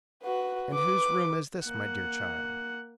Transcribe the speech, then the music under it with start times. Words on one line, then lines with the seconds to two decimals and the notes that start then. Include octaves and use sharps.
"And whose room is this, my dear child?"
0.23 F#4 B4
0.72 B4 D6
1.64 A#3 F#5